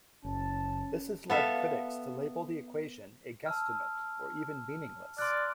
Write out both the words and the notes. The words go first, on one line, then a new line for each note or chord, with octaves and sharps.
This has led critics to label the equation a guesstimate, or even meaningless.
F#1 C#4 A5
B3 A4 E5 F5
A5 E6 F6
D5 C6 F6 F#6